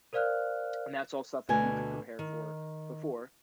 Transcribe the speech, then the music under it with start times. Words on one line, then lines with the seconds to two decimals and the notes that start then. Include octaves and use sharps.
and that's all stuff that you can prepare for before,
0.13 A#4 C5 D5 F5 F6 F#6
1.49 D2 B2 D3 G#5
2.19 D#3